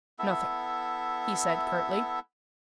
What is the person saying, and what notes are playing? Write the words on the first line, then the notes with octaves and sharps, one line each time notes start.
"Nothing," he said curtly.
B3 E4 A4 E5